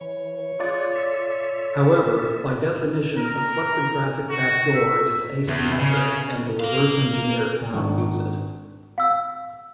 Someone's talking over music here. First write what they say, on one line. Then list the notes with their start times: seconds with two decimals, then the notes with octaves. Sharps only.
However, by definition a kleptographic backdoor is asymmetric and the reverse-engineer cannot use it.
0.01 E3 C#5
0.59 F4 G#4 D5 F#6
0.96 A4 E5
3.18 A#4
4.30 F#4
4.74 E5
5.48 E2
5.80 C#3
6.60 A#4 F5
7.73 G#1 D#3 D4 C#6
8.98 F5 E6